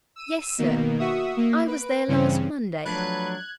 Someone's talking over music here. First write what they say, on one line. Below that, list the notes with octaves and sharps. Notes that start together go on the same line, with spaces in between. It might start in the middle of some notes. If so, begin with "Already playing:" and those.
"Yes, sir, I was there last Monday."
E6 D#7
B2 D#3 A#3
F#4 E5 C#6 D#6
A#3
B4 D7
G2 C#3 E3 C4 C#4
F3 F#3 A3 D4 B4 F#6 G#6